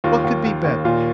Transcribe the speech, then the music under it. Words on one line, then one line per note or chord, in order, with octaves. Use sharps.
What could be better?
D#2 F4
D#2
D#2
D#2
A#2 F4